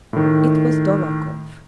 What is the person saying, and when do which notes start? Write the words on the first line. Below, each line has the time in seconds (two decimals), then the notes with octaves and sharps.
It was Dolokhov.
0.13 A2 D#3